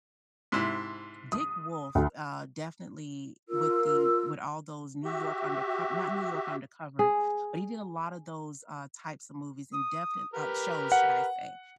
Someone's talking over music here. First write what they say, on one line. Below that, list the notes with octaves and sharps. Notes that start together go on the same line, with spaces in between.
Dick Wolf, uh, definitely with the with all those New York Underco not New York Undercover, but he did a lotta those, uh, types of movies and definit uh, shows should I say.
G#2 C3 E4
D#6
D2
F4 A#4 E6
F#4 G4 E5
G#4
D#6
G4 A#4 B4
F#5